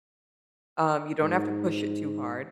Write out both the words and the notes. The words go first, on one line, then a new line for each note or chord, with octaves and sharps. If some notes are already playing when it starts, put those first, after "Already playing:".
Um, you don't have to push it too hard.
G#2